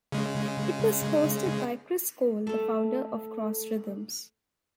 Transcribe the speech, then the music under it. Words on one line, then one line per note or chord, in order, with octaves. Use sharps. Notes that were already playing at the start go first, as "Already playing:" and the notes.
It was hosted by Chris Cole, the founder of Cross Rhythms.
C#3 G#3
A3 A4